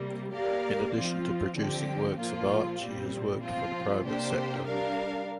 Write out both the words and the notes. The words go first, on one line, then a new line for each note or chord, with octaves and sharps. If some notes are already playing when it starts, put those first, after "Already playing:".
In addition to producing works of art she has worked for the private sector.
Already playing: C3 G3 A#3
A#3 G4 A#4 D5 F5
F3 C4 F4
D3 F3 C4 G4
A#2 F3 A#3 F4
A#2 G3 C4
F3 C4 F4
C3 A#3 D4 G4 C5
G3 D4 A#4 F5